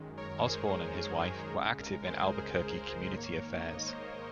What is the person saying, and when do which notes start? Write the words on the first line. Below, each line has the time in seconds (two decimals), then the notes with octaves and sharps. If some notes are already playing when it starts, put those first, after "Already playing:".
Osborn and his wife were active in Albuquerque community affairs.
Already playing: F#2 D#3 G#3
0.17 A#4 C#5
0.45 G#4 C5
0.72 A#4 C#5
1.52 C#2 C#3 G#3
1.80 A#4
2.06 G#4 C5
3.13 G#2 D#3 A#3 A#4 C#5
3.70 D#5
3.79 C#5
3.86 C5
3.94 A#4